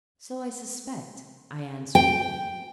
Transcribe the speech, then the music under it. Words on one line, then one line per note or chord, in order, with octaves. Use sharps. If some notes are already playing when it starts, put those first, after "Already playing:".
'So I suspect,' I answered.
G5